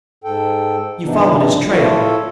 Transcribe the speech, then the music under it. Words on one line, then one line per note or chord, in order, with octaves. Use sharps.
"You followed his trail?"
G#2 A4 G5
G2 C3 F3 B3 D4 D#4
E4 F4 A4 C#5